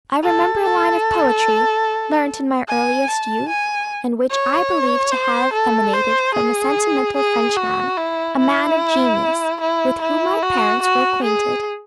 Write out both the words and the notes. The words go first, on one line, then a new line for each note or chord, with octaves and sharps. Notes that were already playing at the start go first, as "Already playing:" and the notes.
I remember a line of poetry, learnt in my earliest youth, and which I believe to have emanated from a sentimental Frenchman, a man of genius, with whom my parents were acquainted.
A4
A4
G#5
A5
G#5
C#5
C5
A4
C5
G#4
G#4
F#4
E4
E4
E4
E4
F#4
F#4
G#4